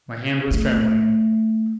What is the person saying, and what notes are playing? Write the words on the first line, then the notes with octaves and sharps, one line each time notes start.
My hand was trembling.
A3